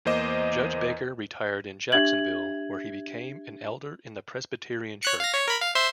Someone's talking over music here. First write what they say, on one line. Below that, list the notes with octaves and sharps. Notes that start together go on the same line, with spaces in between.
Judge Baker retired in Jacksonville, where he became an elder in the Presbyterian church.
E2 A#3 C5 D#5 D6 E7
D4 G4 E5 G#6 F#7
C#5 F#6 C#7
F5 A#6
C#5
A#4 B5
F5
C5 E5 C6